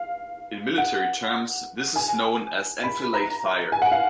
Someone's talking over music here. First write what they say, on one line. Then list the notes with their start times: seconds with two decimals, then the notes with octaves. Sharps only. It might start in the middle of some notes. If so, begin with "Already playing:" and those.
In military terms, this is known as "enfilade fire".
Already playing: F5
0.78 F#5
1.96 G#5
2.84 B5
3.14 A#5
3.72 G#5
3.82 F#5
3.92 F5